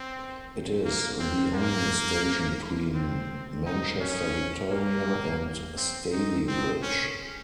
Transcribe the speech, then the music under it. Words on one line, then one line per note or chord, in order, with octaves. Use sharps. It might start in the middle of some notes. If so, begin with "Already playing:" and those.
It is the only station between Manchester Victoria and Stalybridge.
Already playing: C4
A#3
C4
A#3
C4
D#4
C#4
A#3
C4
D#4
C4
C#4